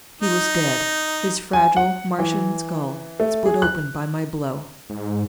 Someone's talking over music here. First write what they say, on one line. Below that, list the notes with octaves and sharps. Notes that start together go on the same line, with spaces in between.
He was dead, his fragile Martian skull split open by my blow.
D#4
G#5
F#5
E3
A3
G#4
F#6
G#2